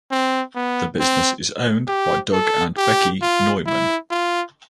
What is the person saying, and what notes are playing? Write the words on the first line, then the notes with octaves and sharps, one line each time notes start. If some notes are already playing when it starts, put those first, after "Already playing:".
The business is owned by Doug and Becky Neuman.
C4
B3
C4
G4
A4
G4
F4
E4
F4